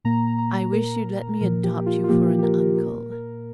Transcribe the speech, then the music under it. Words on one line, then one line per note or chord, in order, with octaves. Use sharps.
I wish you'd let me adopt you for an uncle.
A#2 A#3 A#5
A#5
A#2 A#3 A#4
A#2 F3 A#3 A#4
G4
F4
F4
A#2 F3 A#3 G4
G4
G4
A#4
A#4
A#2 A#3 A#4
A#4